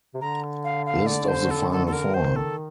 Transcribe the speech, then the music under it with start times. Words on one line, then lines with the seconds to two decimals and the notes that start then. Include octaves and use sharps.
List of the final four.
0.14 C3
0.21 D3 A#5
0.64 F5
0.86 F5
1.06 D5
1.28 C5
1.51 A4
1.71 A4
1.87 A4
1.93 A#4
2.14 D#3 C5
2.36 A4